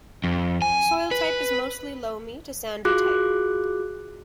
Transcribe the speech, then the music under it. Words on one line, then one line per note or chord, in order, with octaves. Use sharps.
Soil type is mostly loamy to sandy type.
F2
G#5
B4
F4 F#4 G#4 D6 F#6